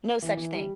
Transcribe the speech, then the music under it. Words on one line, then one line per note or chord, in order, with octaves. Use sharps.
No such thing.
E3
E3
G3